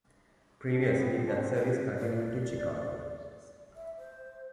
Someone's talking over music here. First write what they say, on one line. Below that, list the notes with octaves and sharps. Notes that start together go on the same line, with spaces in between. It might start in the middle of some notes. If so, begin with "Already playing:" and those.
Previously, that service continued to Chicago.
D4
C4
B3
C4
D4
B3
C4
B4
D5
E5
C5